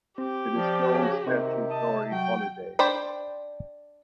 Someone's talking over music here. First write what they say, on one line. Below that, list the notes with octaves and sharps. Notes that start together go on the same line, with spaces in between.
It is closed statutory holidays.
C4 G4
F3 D5
C#3 G#4
C3 D#3 C4
D#5 A5
F#3 F#4 G5
D4 C5 D5 G5 B5